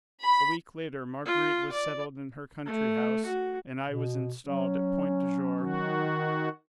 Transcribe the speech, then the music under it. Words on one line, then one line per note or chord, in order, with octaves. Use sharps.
A week later Marguerite was settled in her country house, and I was installed at Point du Jour.
B5
F4
D5
A3
F#4
B2
F#3 C#4
D#3 F#4